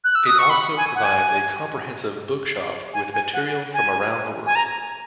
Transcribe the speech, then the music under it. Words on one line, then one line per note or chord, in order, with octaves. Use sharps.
It also provides a comprehensive bookshop with material from around the world.
F#6
E6
D#6
C#6
B5
G#5
F#5
G#5
G#5
G#5
F#5
G#5
G#5
A#5